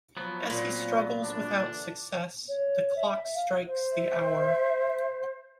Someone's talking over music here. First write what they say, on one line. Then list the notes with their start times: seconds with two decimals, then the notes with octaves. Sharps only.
As he struggles without success, the clock strikes the hour.
0.17 F3 F#3 B3
0.50 A#2 C4 F4
1.24 C2 D3 D4
1.57 D3 E3
2.48 C#5
2.96 E5
3.35 F5
3.65 C5
3.91 E5